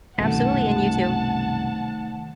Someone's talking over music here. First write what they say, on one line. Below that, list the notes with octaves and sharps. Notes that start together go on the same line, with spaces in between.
Absolutely. And you too.
C2 F#2 B2 D#3 A3 F#5 A5